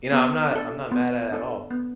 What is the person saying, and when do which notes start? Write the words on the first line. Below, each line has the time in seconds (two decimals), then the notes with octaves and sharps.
you know, I'm not I'm not mad at at all,
0.12 B3
0.51 D4 A4
0.91 B3
1.32 D4 A4
1.70 B3